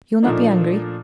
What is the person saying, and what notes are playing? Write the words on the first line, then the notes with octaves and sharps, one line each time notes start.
"You will not be angry?"
A#2 F3 A3 A#3 D4 D#4